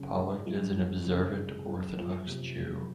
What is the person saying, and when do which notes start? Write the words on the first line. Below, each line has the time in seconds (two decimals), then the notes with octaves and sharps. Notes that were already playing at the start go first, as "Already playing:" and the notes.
Pollack is an observant Orthodox Jew.
Already playing: F#2 C#3
0.16 G#3
0.46 F#2
0.77 F#2
1.07 C#3
1.37 G#3
1.67 F#2
1.97 F2
2.27 C3
2.58 F#3